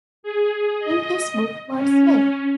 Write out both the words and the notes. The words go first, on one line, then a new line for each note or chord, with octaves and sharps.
In his book What's Left?
G#4
D#5
C#4